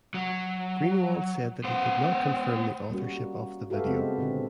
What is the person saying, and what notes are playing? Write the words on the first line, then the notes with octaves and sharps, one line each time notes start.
Greenwald said that he could not confirm the authorship of the video.
F#3
B3 C5
G3 A#3 C#4 F#4
F#4 G4 A4 B4 E5 F5
C#3 G#3 B3 C4
A#2 D3 C4